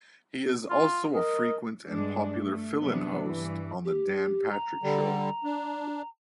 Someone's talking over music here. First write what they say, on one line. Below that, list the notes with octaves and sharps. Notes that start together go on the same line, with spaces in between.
He is also a frequent and popular fill-in host on the Dan Patrick Show.
F4
A#4 D#5
G2 G#3 D4
A3
C3 F#3 B3 D4
G2 E3
G4
A#5
D3 G3
D4